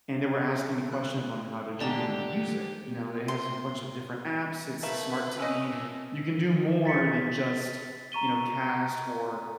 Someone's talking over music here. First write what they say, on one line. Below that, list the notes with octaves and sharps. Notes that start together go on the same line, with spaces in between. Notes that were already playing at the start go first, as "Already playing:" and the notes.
and they were asking me questions of 'em how to genuinely use it, you know, it has a bunch of different apps- it's a smart TV- you can do more than just, you know, cast or
F#6
D#2 G#2 D3 G4 D5 A5 A#5
C6
A3 A#3 B4 E5
F3 C#4 D#5 E5
A#2
A6 B6 C#7
A#5 C#6 D#7 G7